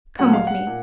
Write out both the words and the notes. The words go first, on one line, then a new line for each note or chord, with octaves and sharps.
Come with me.
A#2 F#3 A#3 C#4 F#5
F5
F#5
A#2